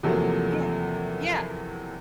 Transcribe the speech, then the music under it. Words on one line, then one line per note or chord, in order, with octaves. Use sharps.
Yeah. Yeah.
E2 C3 F3 F#3 A3 A#3